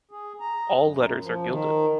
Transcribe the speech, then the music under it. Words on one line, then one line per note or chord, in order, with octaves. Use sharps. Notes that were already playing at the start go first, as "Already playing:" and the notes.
All letters are gilded.
G#4
A#5
F#2
F3
D#3